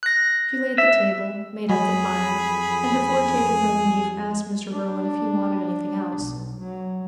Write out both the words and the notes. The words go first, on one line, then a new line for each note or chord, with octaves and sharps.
She laid the table, made up the fire, and before taking her leave asked Mr. Berwin if he wanted anything else.
F#6 A#6
E5
F2 F#3 G#4 B5
D4
B1
F#3